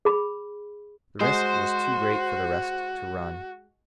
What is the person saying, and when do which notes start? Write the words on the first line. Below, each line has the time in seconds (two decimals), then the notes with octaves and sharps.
The risk was too great for the rest to run.
0.05 G#4 B5
1.21 G#3 F#4 C5